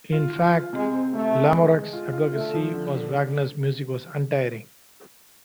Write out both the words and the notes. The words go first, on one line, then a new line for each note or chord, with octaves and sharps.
In fact Lamoureux's advocacy of Wagner's music was untiring.
F4
F4
F4
C3 G#3
C4
C3 A3
C3
G#3
G#3
F4
F4
D3 A3
F3
D3
D3